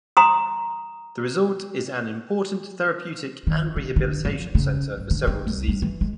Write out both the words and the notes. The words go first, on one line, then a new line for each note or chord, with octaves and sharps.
The resort is an important therapeutic and rehabilitation centre for several diseases.
A#5 C6 D#6
D#3
D3
D3
F3
C#3
G1
D3
C4
C2
G3
E3
G#3